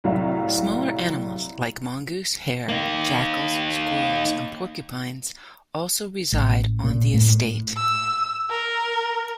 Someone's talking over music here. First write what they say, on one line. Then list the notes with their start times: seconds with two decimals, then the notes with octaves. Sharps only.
Smaller animals like mongoose, hare, jackals, squirrels and porcupines also reside on the estate.
0.04 C2 A2 F#3 E5 F5
2.69 A#3 D#4
6.32 A1
6.84 A#2
7.14 A2
7.77 E6
8.50 A#4